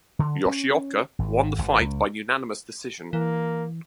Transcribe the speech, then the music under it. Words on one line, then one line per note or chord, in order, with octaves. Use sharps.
Yoshioka won the fight by unanimous decision.
D3
C#4
G#1
G#1
C#2
E3 A#3